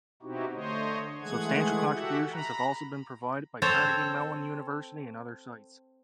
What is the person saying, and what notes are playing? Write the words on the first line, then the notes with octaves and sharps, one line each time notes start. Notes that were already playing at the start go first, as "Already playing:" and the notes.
Substantial contributions have also been provided by Carnegie Mellon University and other sites.
B2 C4 D#4 E4 F#4 G4
D3 A3 C5 C#5 D#5
E3 G#3 A3 G#4 F#5 G#6
F#4 G4 A4 E5 F#5
A#5 B5
C4 A4 C5 C#5